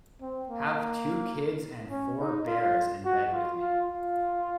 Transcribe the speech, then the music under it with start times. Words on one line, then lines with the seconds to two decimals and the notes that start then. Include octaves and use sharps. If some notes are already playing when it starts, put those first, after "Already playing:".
Have two kids and four bears in bed with me.
0.21 C4
0.49 A#3
1.91 C#4
2.20 D#4
2.47 F4
3.05 F#4
3.32 F4
3.61 F4
3.90 F4